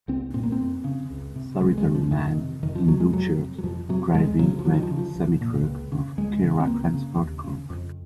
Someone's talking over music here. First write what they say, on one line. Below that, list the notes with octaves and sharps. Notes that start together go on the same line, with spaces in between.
Solitary man in blue shirt driving red semitruck of Khera Transport Corp.
C2 C4
A#2 C4
A#3
C4
F2
C#3
C#2
C3
C#2 G#3
G#3
C3
F3
F2 D#3
D#3
C3
F2 D#3
F3
C3 F#3
G#3
F2 F#3
C3
F#3
F2 F3
C3 F#3
D#2 G#3
C#3 F#3
F3
D#2 F#3
D#3
F3
C#3
F3
C2
A#2
C#2
C#3
C#2 G#3
C#3
C4
C#2 A#3
C#3
D#2
C#3
F2